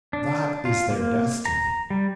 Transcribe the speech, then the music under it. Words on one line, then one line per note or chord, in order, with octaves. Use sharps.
That is their destiny.
D4
F4
A#3
A#5
G3